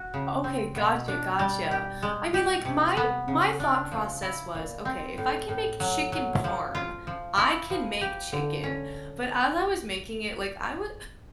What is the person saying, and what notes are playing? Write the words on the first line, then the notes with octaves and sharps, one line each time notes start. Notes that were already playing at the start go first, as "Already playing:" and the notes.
Okay, gotcha, gotcha. I mean, like, my my thought process was, okay, if I can make chicken parm, I can make chicken, but as I was making it, like, I would
Already playing: F#4
C#3
C4
B2
D4
G3
G4
G#3
G4
C3
B3
C#3
D4
F3
E4
A#2
C4
A2
A2
F#3
F#3
F3
F4
F3
E4
F3
G4
D3
C#4